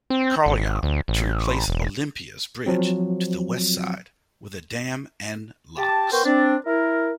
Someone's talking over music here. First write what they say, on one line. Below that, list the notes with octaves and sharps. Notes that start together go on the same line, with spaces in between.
Carlyon to replace Olympia's bridge to the westside with a dam and locks.
C4
G#1
D2
A1
E1
F3 F#3 C4
G4 A5
B3 A#4 C5 G5 C#6
C4 D4
E4 A#4